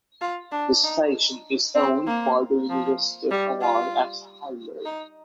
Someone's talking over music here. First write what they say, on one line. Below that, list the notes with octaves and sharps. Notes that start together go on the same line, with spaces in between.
The station is owned by the University of Hawaii at Hilo.
F4
D4
D#4
C4
A#3
F3
G3
F4
D#4